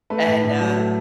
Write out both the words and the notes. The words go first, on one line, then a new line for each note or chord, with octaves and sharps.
And, uh
A3 B4
A2
A2
F#3
A3